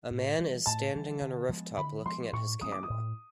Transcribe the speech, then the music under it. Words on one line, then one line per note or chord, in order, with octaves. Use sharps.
A man is standing on a rooftop looking at his camera.
A2
E3 G3
A2 A5
E3 G3
D3
F3 G#3 B3
D3 B5
F3 G#3 B3 C6
A2 C#6
F#3 A#3 C#4 D#6
D6
D#6
A2